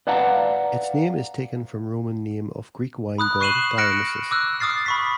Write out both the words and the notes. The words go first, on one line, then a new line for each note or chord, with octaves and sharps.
Its name is taken from Roman name of the Greek wine god Dionysus.
B4 D5 F5 F#5 A5 A#5
B5 D#6 F#6
C#6 F#6 C7 D#7 E7 F#7
F6 F#6 A#6 C#7 D7 E7
D6 E6 F#6
D6 D#6 F6 A6 C7
B5 C#6 B6